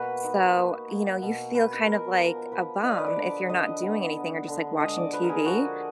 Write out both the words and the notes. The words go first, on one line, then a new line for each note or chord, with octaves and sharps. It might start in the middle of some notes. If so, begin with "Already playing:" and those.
So, you know, you feel kind of, like, a bum, if you're not doing anything, or just, like, watching TV.
Already playing: B2 A#3 F#4 B4
D#4
A#3
A#3
B2
A#3 B4
B2 A#4
F3 A#4
F3 B4
F3 D#5
D5
B4
D5
D3
D3 D#5
B3
D3
D3
G#3 D#5
D5
F3 B4
A#4
G#4
F3 F#4